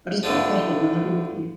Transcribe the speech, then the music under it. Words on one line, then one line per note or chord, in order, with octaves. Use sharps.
I'll just pop the kettle on and then I'll be with you.
A2 D3 F3